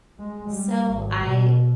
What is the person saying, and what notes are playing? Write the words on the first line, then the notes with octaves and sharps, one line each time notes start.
So, I
G#3
G3
G#1
B2